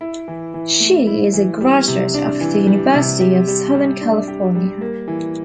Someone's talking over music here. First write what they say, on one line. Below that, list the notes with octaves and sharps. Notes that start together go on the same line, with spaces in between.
She is a graduate of the University of Southern California.
E4
E3
E3
A3
E4
E3
G3
C3
D4
E3
G3
C3
G4
G3
G3
D4
G4
G3
A#3
E3